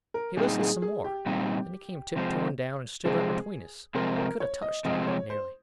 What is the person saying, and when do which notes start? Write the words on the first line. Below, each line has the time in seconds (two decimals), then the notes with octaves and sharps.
He listened some more; then he come tiptoeing down and stood right between us; we could a touched him, nearly.
0.14 A#4
0.37 A#2 G3 C4 D#4 G#4
0.59 G#4
0.82 G#4
1.04 G4
1.26 A#2 G3 C4 D#4
2.16 C3 F3 G#3 C4
3.05 C3 F3 G#3 C4 G#4
3.95 C3 F3 G#3 C4 A#4
4.18 A#4
4.40 C#5
4.62 D#5
4.85 C3 F3 G#3 C4 D#5
5.07 C#5
5.30 C5